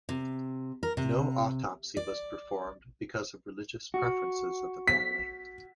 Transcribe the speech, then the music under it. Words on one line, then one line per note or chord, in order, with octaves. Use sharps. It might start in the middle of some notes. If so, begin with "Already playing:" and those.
No autopsy was performed because of religious preferences of the family.
C3
A#4
C3
D5
F#4
B6